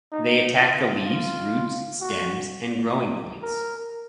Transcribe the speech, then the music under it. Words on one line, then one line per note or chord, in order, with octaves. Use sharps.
They attack the leaves, roots, stems, and growing points.
D#4
F4
F4
F#4
A#4